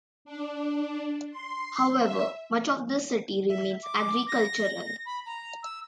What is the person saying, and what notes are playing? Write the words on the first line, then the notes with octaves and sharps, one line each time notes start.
However, much of the city remains agricultural.
D4
C6
E5
E5
D6
A#6
B5
A#5
E6